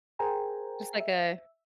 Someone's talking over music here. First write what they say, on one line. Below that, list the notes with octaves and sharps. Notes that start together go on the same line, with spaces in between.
Just like a
G#4 A#4 C5 G5 G#5 A#5
E5